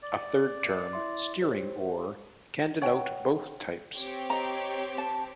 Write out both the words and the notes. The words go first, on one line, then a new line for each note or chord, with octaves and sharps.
A third term, steering oar, can denote both types.
D5
E4 E5 C6
G4 C5 C#5
C#5 F#5 G5
C4 G4 C#5
D#5 A#5
A5